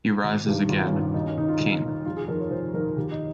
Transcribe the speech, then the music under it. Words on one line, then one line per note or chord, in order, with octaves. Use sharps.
He rises again, king.
G#1
G2 D#3 G4
G#1 F4
C#4
G2 D#3
F4
D#2 D#4
C#4
D#3 D#4
F4
D#2
D#3
F1 F4
G#4
F2 D#3 A#4
C#5
F1 C5
F2 D#3 A#4
D#2 G4
D#4